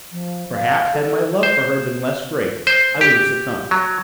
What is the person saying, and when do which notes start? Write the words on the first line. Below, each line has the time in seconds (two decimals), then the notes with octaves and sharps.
Perhaps had my love for her been less great, I would have succumbed.
0.12 F3
0.54 F5
0.93 A4
1.43 C5
2.67 C5
3.01 G4
3.71 F#3